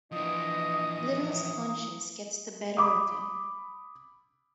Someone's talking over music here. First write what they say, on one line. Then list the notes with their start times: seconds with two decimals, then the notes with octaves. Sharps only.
Little's conscience gets the better of him.
0.12 E3 F3 D4 D#5 D#6
2.77 B5 D6 D#6